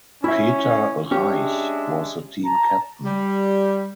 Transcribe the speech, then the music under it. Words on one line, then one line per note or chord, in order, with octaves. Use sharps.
Peter Reich was the team captain.
C#4 E4 E5
G#3 C#4 D4 G4 E5
A5 A#5
G3